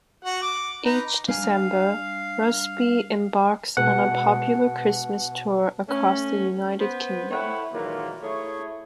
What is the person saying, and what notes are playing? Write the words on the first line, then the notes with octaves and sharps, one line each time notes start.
Each December, Rusby embarks on a popular Christmas tour across the United Kingdom.
F#4 F#5
D6
D#4 B4
G3 D4 F5 G#5
B2 G#3 B3 F#5
A3 C#4
B3 C5
E4 A4 C#5 E5 F#5 G5
A#2 D#3 E3 F#3 G#3 A#3
A3 E4 G#4 C#5